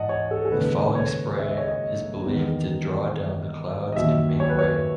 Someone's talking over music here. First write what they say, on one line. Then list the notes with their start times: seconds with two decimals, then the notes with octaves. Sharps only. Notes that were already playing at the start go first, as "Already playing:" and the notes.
The falling spray is believed to draw down the clouds and make rain.
Already playing: G#2 E3 D#5 F#5 A5
0.09 C#5
0.31 A4
0.45 A4
0.52 D#2 C#3 G#3 D#4 B4
0.95 C#5
1.39 E5
1.48 D#5
1.58 C#5
1.68 D#5
2.25 E2 D#3 G#3 B3 D#4
3.92 D#5
3.96 D#2 D#3 F#3 E5
4.40 C#5
4.49 B4
4.59 C#5